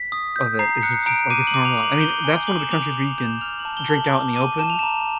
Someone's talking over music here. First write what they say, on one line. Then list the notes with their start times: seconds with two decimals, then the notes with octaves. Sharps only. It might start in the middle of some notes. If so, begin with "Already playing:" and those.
of it. It's just it's like it's normal I I mean, that's one of the countries where you can drink out in the open,
Already playing: B6
0.12 D#6
0.36 G6
0.59 A#5 C7
0.83 F#6 C#7
1.06 A#5 D7
1.30 D6 D#7
1.47 F#7
1.54 D6
1.65 F7
1.77 D6
1.83 F#7
2.00 G6 G7
2.24 G#5 G7
2.47 D6 F#7
2.59 E7
2.71 D6 F7
2.94 G6
3.07 F7
3.18 G6
3.23 E7
3.41 F6 F7
3.59 F#7
3.65 A5
3.77 G7
3.89 A5
3.95 F#7
4.13 D6
4.36 D6 D#7
4.59 A5 E7
4.70 F7
4.79 A#5 E7